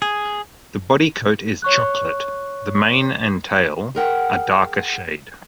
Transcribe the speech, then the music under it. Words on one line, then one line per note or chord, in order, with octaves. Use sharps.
The body coat is chocolate, the mane and tail a darker shade.
G#4
C#5 C#6 F#6
G#4 A#4 F#5 G5